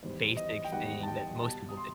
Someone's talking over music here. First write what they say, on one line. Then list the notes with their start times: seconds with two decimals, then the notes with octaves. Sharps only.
basic thing that most people do
0.03 E2 D#3 G3 C5
0.37 D#5
0.65 G5
0.72 E2 D#3 G3 F#5
1.03 A5
1.08 G5
1.42 B2 G3 A5
1.69 D#6
1.77 C6